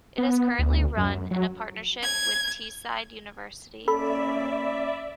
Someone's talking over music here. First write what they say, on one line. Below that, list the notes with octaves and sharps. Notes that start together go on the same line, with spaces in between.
It is currently run in a partnership with Teesside University.
B3
D2
F#2
F#3
G#6
A#3 C#4 A4 D5 E5 B5